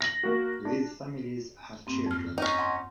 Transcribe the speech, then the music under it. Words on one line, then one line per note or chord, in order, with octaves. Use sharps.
These families have children.
A#6 F#7
A#3 F#4
D4
G2 A#3 C4
F2 F6
C#4 D#4
F#5 B5 C6